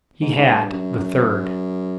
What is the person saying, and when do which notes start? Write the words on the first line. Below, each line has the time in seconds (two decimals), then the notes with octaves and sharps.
He had--the third.
0.21 G#2
0.37 G#2
0.46 G2
0.72 F#2
0.97 F#2